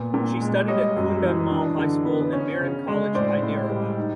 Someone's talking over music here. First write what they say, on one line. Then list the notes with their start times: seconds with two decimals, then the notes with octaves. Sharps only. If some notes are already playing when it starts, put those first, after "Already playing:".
She studied at Kundan Mal High School and Miran College Hyderabad.
Already playing: A#2 B3
0.14 A#2
0.41 G#3
0.68 G3 C#5 D#5
0.96 F#2
1.23 E3
1.51 D4
1.78 D3
2.05 B3
2.33 C#4
2.61 C#3
2.88 G#3
3.15 A2 C5 D5
3.42 A2
3.70 G3
3.98 D#4